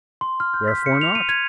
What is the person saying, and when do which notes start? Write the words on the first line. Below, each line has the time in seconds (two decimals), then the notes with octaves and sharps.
Wherefore not?
0.21 C6
0.40 F6
0.54 G6
0.68 B6
0.86 C#7
1.01 F7
1.15 D#7
1.29 G#6